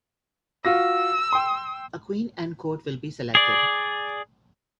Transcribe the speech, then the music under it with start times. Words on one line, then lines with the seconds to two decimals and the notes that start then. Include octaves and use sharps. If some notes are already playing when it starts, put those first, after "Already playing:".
A queen and court will be selected.
0.65 F4 F#4 E6 A#6
1.32 G5 C6
3.35 G#4 D5